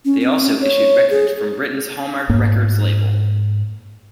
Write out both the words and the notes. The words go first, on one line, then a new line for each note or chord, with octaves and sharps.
They also issued records from Britain's Hallmark Records label.
C#4
C4
C#4
C#5
G#4
G#2 A#3